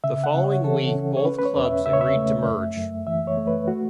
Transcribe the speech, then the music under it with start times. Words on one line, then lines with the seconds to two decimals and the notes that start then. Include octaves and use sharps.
The following week both clubs agreed to merge.
0.04 C#3 E5
0.24 F#5
0.34 C#3
0.44 C#5
0.64 E3 A4
0.95 C#4
1.17 C#5
1.25 C#4 B4
1.39 B4
1.45 C#5
1.55 E2
1.65 E5
1.86 C#3 E5
1.93 C#5
2.01 E5
2.17 A3
2.46 F#2
2.77 F#2
3.07 E3 E5
3.27 C#5
3.37 A3
3.47 B4
3.68 A3 F#4